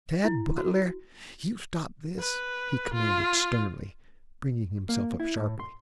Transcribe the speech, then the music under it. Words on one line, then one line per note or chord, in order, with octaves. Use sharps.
"Tad Butler, you stop this!" he commanded sternly, bringing himself up sharply.
E4
F#4
B4
F4
A#3
E4
A2
C6